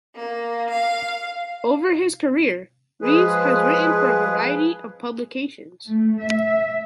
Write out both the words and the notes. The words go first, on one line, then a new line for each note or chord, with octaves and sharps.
Over his career Rees has written for a variety of publications.
A#3
F5
F3 G#3 G#4 B4
A3
E5